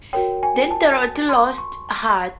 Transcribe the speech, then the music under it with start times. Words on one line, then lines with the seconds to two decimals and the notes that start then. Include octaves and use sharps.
Then Dorothy lost heart.
0.13 F#4 A#4 C#5 G5
0.43 G#5
0.71 A5
1.29 C6
1.58 C#6